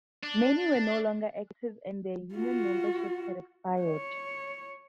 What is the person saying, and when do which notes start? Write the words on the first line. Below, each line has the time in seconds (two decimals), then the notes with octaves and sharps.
Many were no longer active and their union memberships had expired.
0.23 D4
2.35 F4 F#4
3.83 C#5